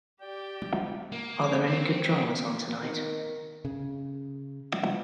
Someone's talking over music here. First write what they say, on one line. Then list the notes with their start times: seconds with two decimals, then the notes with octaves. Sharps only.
Are there any good dramas on tonight?
0.21 G4 D5 G5
1.12 A#3
1.68 C4
2.80 D#3
3.65 C#3